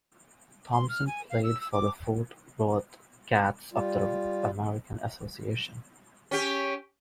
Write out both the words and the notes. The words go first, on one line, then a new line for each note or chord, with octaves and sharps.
Thompson played for the Fort Worth Cats of the American Association.
C6
F6
G#5
F5
E6
E6
D6
G3 F4
C#4 G4